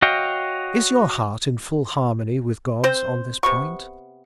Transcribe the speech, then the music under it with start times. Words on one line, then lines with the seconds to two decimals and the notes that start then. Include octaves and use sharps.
Is your heart in full harmony with God's on this point?
0.02 F#4 C#5 D#5 F5 G5
2.84 C4 C5
3.43 C3 B3 C#6